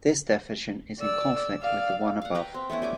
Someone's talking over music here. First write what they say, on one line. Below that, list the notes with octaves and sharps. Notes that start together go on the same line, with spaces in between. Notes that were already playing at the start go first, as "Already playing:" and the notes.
This definition is in conflict with the one above.
D5 E6
D5 F5
F5 F#5
B4 G5 A#5
C4
A3 B3 C#4 E4
G3 G#5 D6